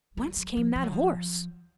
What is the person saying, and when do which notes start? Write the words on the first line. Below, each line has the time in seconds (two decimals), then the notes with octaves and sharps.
Whence came that horse?
0.17 G3
0.36 F#3
0.57 F3
0.76 F3
0.84 F#3
0.92 F3